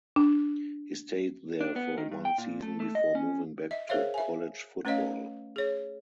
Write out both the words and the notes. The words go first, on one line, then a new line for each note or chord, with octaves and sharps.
He stayed there for one season before moving back to college football.
D4
D4
B3
D#3
G2
G5
A#2
A3
A3
D#5
C#4
D#5 E5
G#4 A#4 C5 C#5 E5 F5
E5 G#5
A3 C#4 B4 C#5 D#5 F5
G#4 C#5